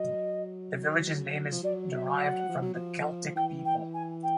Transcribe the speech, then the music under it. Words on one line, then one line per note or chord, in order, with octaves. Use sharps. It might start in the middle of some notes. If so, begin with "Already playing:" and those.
The village's name is derived from the Celtic people.
Already playing: F#3 D#5
F3
F#3 D5
E5
F#5
F3
F#3
F3
E3 G5
G5
G#5
G5